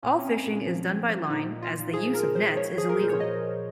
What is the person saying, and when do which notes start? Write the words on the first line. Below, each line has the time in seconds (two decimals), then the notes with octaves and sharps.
All fishing is done by line as the use of nets is illegal.
0.03 A#2 C#4
0.12 C4
0.19 C#4
0.25 A#2
0.47 A#2
0.67 F3
0.88 F3
1.10 F3
1.30 A#2 D#4
1.51 A#2
1.62 F4
1.72 A#2
1.94 F3 G#4
2.14 F3 A#4
2.35 F3 C5
2.57 F3 C#5
2.77 F3 G#4
2.89 A#4
2.98 A#2 C5
3.09 C#5
3.19 F3 D#5
3.41 A#2